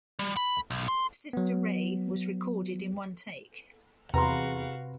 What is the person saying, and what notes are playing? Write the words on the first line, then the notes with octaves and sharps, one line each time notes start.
"Sister Ray" was recorded in one take.
G3
B5
B1
C6
F#3 B3
E2 C3 F#4 B4 F5 A#5 C6